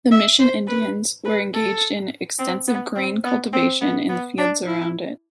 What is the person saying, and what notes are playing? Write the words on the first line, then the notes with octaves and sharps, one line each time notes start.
The Mission Indians were engaged in extensive grain cultivation in the fields around it.
E5
C5
B4
B4
A4
C4
B3
C4
B3
C4
B3
B3
D4
E4